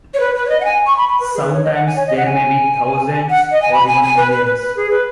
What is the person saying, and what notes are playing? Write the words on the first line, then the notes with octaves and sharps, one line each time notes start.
Sometimes there may be thousands or even millions.
C#5
B4
B4
C#5
D#5
F#5
G#5
C#6
B5
B5
B4
G#4
B4
C#5
D#5
F#5
G#5
C#5
D#5
F#5
G#5
F#5
D#5
G#5
B5
G#5
G#5
B4
B4
B4
B4
G#4
B4